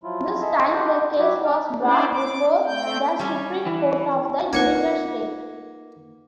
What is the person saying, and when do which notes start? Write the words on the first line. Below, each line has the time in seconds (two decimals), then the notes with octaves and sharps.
This time, the case was brought before the Supreme Court of the United States.
0.03 F3 F#3 E4 F4
0.41 G#4 A4 D#5 E5
0.72 G4 A4 D#5 F#5 B5 G6
1.18 F#3 E4 F#4 G4 C#5 E5
1.45 C#4 D5 F6
1.80 C#4 D4 E4 G#4 C5 D5
2.11 D6
2.66 A3 C4 G5 G6
3.19 G3 C#4
3.66 E3
4.53 A#3 D#4 F4 B4 F#5 G#6